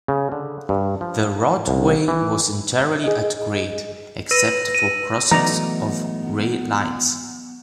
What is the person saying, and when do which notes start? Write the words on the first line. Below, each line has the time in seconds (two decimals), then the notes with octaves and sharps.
The roadway was entirely at-grade except for crossings of rail lines.
0.08 C#3
0.32 D3
0.69 G2
1.01 F3
1.68 C2
2.08 E3
3.04 G#4 D#5
4.31 B4 E6 A#6 D#7
4.75 D#7
5.31 E3 F#3 A3 B3 D#4 D5 A#5